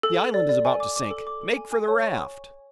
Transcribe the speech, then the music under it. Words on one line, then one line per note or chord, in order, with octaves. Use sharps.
"The island is about to sink! Make for the raft!"
A4
A4
D5
D5
G#5
D6
D6
A4
D6
A4
G#5
G#5
C#5
C#6
G#5